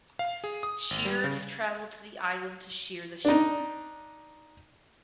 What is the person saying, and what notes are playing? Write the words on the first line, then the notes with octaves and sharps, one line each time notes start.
Shearers travelled to the island to shear the sheep.
F5
G#4
D#6
G#1
G3
C#3
D4 D#4